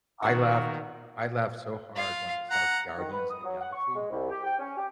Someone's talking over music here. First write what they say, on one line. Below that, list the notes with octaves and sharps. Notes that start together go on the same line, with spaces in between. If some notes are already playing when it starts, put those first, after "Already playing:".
I laughed I laughed so hard when I saw Guardians of the Galaxy,
C3 D#3 B3 F#4 A#4 F#5
F4 F5
F#5 A#5
D#3
B4
D#6
F#3
F#5
C#6
G#3
C2
G4
G5
C#4
G4